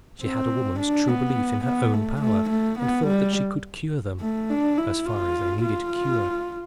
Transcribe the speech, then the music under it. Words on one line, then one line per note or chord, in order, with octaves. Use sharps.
She had a woman's true belief in her own power, and thought that she could cure them,--as far as they needed cure.
C4
D4
B3
B3
A3
A3
A3
B3
G3
A3
D4
E4
F4
F4